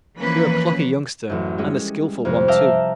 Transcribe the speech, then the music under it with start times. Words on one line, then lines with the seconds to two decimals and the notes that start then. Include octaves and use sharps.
You're a plucky youngster and a skilful one, too.
0.19 E3 F3 A#3 C#4 B4
1.29 A1 F#2
1.58 G3 G#3 C#4
2.25 F2 C3
2.48 E5 F5 G5 A5 A#5 D6